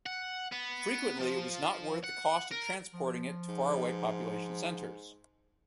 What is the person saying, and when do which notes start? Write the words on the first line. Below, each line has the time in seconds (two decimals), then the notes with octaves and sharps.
Frequently it was not worth the cost of transporting it to far-away population centers.
0.06 F#5
0.52 B3
1.19 F3
2.04 F#5
2.52 A#4
2.94 F3
3.48 G#2